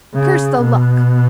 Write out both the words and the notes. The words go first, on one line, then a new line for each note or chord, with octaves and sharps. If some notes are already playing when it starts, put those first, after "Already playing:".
Curse the luck!
C#3
B2